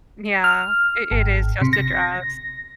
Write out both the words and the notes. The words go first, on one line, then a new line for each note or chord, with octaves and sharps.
Yeah. I it is just a dress.
F6
G#1
C3
A#6